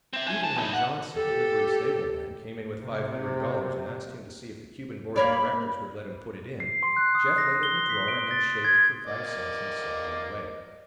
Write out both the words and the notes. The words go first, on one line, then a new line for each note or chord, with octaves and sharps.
Even when Johnson, the livery stable man, came in with five hundred dollars and asked him to see if the Cuban Board of Directors would let him put it in, Jeff laid it in the drawer and then shaved him for five cents, in the same old way.
C4 E5
D4 G#5
D#2 A5
D#4 E4
F#5
G4 A4
C3
A#3 C#5 D5 B5
C7
C6
F#6
D#6
A#6
G7
B6
D7
A6
G#6
A#3 D5 D#5